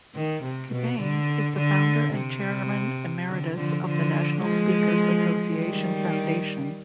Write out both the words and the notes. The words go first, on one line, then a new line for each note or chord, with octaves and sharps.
Qubein is the Founder and Chairman Emeritus of the National Speakers Association Foundation.
D#3
C3
B2
D3
D3
C3
D3
D3 F3
D3 F3
F3 G#3
D#3 G3